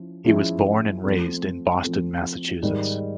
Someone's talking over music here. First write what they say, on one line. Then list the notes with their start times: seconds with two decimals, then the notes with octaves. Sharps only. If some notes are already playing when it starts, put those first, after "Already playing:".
He was born and raised in Boston, Massachusetts.
Already playing: F3 C#4 E4
0.25 F3 G#3 C#4 E4
1.03 F3 A3 C4
1.84 F3 A3 C4
2.63 G#2 D#3 G3